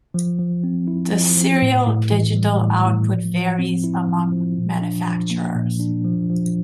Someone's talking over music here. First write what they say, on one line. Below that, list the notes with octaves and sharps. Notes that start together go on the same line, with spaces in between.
The serial digital output varies among manufacturers.
F3
F3
C4
E4
F3
F3
A2
A2
E3
G3
A2
A2
F3
F3
C4
E4
F3
F3
A#2
D4
F3
A#3
A#2
D4
F3
F3